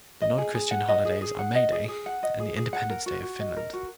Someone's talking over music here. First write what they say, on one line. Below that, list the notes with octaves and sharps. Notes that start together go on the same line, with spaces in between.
The non-Christian holidays are May Day and the Independence Day of Finland.
D#5
G#4
G#4
F#5
D#5
G#4
G#4
F#5
D#5
G#4
G#4
F#5
D#5
G#4
G#4
F#5
A#4
F#4
F#4
D#5
A#4
F#4